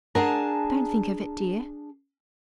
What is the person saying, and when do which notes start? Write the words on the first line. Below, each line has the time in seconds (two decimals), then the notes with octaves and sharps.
'Don't think of it, dear.
0.15 D4 G#4 A#4 F#5 A5 A#5